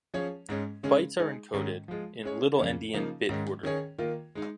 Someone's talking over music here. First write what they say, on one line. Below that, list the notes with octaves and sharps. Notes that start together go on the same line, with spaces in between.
Bytes are encoded in little-endian bit order.
F3 C#4 G#4 C#5
G#2 G#3 C#4
C#3 G#3 C#4 G#4
G#3 D#4 G#4
G#2 D#3 G#3 C#4
F3 G#3 F4
G#3 C#4 G#4 C#5
F2 C#3 A#3 C#4
C#3 F3 A#3 D#4
G#2 D#3 G#3 C#4
D#3 C#4 G#4 C#5
D#3 A#3 F4 A#4
G#3 D#4